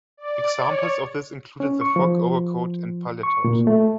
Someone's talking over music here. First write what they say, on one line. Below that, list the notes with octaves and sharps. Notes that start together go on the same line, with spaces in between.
Examples of this included the frock overcoat and paletot.
D5
C#5
C#4
C#6
F3
C#6
A#2
A3